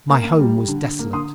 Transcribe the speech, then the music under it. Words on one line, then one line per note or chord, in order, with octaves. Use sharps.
My home was desolate.
A#3
A#3
G3
G3
D3
D3
A#3
D3 C6 D#6